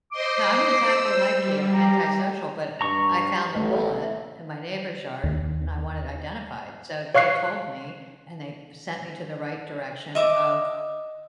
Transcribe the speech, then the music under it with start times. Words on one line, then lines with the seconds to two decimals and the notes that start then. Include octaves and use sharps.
No, I'm exactly like you, antisocial, but I found a bullet in my neighbor's yard, and I want it identified, so they told me, and they sent me to the right direction of,
0.12 C5 D#5 C6 D6
0.82 C5 E6
1.34 G3
1.73 G4 A#5
2.81 G2 A#5 C#6
3.56 A1 A3
5.24 D#2
7.15 C#5 F5 C#6 F#6 C7
10.15 D#5 E5 D6